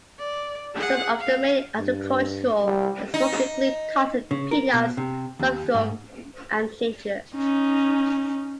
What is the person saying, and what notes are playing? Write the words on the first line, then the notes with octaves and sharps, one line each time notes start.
Some of the main agricultural exports include: cotton, peanuts, sorghum, and ginger.
D5
G#4 F#5
F5
G2
G3
D#4
C#3
A#4
B2
C3
D#2
G#2
C#4 D#4